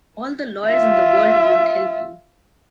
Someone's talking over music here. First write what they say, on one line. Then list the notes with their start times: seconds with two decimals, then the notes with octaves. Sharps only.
All the lawyers in the world won’t help you!
0.66 F4 E5